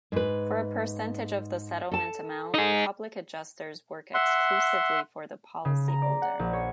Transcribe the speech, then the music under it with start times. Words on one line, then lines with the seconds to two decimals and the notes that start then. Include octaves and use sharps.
For a percentage of the settlement amount, Public adjusters work exclusively for the policyholder.
0.12 G#2 B4
1.91 A4 A5
2.54 D#4 G#4
4.14 E5 F#5 C6
5.65 C#3
5.88 A#5
6.02 D5
6.22 F#5
6.39 A#1
6.53 C#5